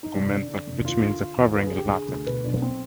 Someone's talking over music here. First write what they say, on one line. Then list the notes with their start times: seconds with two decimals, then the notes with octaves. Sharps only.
It derives from "integumentum", which means "a covering" in Latin.
0.03 D#4
0.14 F1 D4
0.31 D3
0.48 D3
0.66 F1
0.84 D#2 F4
1.03 D3
1.19 D3
1.37 D#2
1.55 D3 B4
1.66 G#4
1.73 D3 G4
1.88 D3 G#4
2.08 D2
2.26 B2 B4
2.44 B1 D4
2.54 B3
2.62 B2 C4